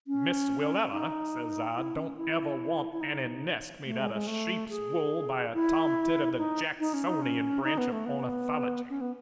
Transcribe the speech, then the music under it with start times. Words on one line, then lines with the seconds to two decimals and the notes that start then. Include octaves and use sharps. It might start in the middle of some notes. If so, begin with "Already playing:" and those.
Miss Willella,' says I, 'don't ever want any nest made out of sheep's wool by a tomtit of the Jacksonian branch of ornithology.
0.07 C#4
0.92 D#4
1.75 E4
1.96 C#4
2.17 E4
2.92 E4
3.01 D#4
3.86 A3
4.00 G#3
4.13 G#3
4.27 A3
4.70 G#4
5.54 E4
6.37 D#4
6.80 D#4
6.94 C#4
7.08 D#4
7.22 C#4
7.64 D#4
7.78 B3
7.92 A3
8.06 B3
8.90 C#4
9.01 B3